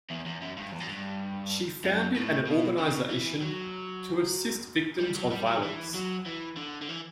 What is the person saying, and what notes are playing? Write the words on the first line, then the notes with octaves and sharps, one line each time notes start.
She founded an organization to assist victims of violence.
E2
E2
F#2
G2
E2
F#2
G2
F#2
A2
B2
C#3
E3
F#3
G3
F#3
G3
F#3
D3
E3
F#3
E3
D3
D3
E3